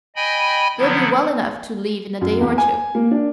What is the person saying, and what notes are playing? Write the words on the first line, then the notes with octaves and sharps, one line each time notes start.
You'll be well enough to leave in a day or two.
D#5 G5 G#5 B5
D3 F3 F#3 B3 E4
F#2
E2
G#5
A#3
D4